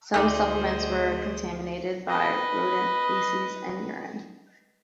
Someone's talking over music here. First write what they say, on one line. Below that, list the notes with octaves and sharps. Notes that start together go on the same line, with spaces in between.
Some supplements were contaminated by rodent feces and urine.
D2 A3 D#4 G#4 C5 D5 D#5
B4 D#5